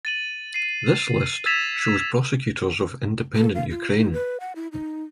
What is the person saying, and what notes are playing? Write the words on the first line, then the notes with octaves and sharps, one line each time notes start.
This list shows prosecutors of independent Ukraine.
A6 D#7 F#7
C7 D#7
E6 G#6 A6 B6 E7 F7
A4
F5
F4
D#4
B4
F#5
E4
D#4